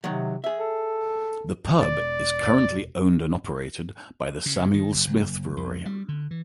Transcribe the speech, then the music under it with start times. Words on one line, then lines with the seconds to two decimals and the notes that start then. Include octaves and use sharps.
The pub is currently owned and operated by the Samuel Smith Brewery.
0.04 C3 D#3 F#3
0.44 G#4 E5
0.59 A4
1.80 E1 D5
4.46 C#3
4.74 D#3
4.92 F#1
5.07 F#1
5.57 F2
5.86 G3
6.09 D3
6.31 E3